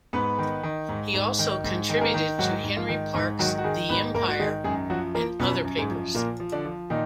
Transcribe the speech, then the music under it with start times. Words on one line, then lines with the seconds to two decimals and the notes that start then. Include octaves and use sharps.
He also contributed to Henry Parkes' "The Empire" and other papers.
0.13 G#2 B3 B4
0.38 D#3
0.63 D#3
0.89 G#2
1.14 G#2
1.39 D#3
1.64 G#2
1.89 D#3
1.97 G#4
2.01 A#3 A#4
2.14 D#3
2.39 G#2 F#3 F#4
2.63 G#2
2.77 F3 F4
2.89 D#3
3.14 G#2 D#3 D#4
3.39 D#3 F#3 F#4
3.58 F#4
3.64 D#3 G#3 G#4
3.89 G#2 B3 B4
4.14 G#2 A#3 A#4
4.28 F#4
4.39 D#3 G#3 G#4
4.64 F#2 G#3 G#4
4.90 F3 F#3 F#4
5.15 F3 A#3 A#4
5.39 F#2 B2 B3
5.65 F#2
5.77 G#2 G#3
5.90 F3
6.14 A#2 A#3
6.40 F3
6.52 D3 D4
6.65 F3
6.90 A#2 D#3 D#4